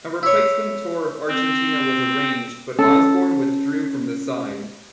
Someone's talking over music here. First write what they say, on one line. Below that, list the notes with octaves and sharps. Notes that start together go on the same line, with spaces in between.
A replacement tour of Argentina was arranged but Osborne withdrew from the side.
E4 C#5
C4
C#4 A4